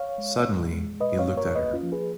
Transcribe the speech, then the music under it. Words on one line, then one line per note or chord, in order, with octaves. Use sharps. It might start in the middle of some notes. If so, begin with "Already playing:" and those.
Suddenly he looked at her.
Already playing: C#5 F5
G#3
A#2
G#3
A#2 B4 D#5
C#5 F5
A#3
A#4 C#5
A#3 B4 D#5
C#4 F4
F3
G#4 B4